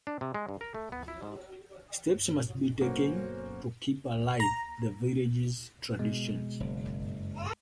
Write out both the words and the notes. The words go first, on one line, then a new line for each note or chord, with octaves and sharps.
Steps must be taken to keep alive the village's traditions.
D4
C3
G#3
G2
A#4
A3
B3
E4
G#2
B1 F2 A#3 C#4 F#4 C5
A#5
B2 G#3
F#1